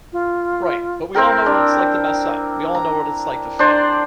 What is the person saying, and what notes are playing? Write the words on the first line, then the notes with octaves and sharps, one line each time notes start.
Right, but we all know what it's like to mess up. We all know what it's like to fail.
F4
C4 E4 A#4 G5
D4
A#5
D4 C5 D5